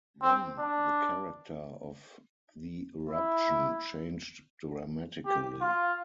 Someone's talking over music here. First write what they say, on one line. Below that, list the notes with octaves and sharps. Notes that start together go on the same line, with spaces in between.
Then the character of the eruption changed dramatically.
C4
D4
E4
G4
F4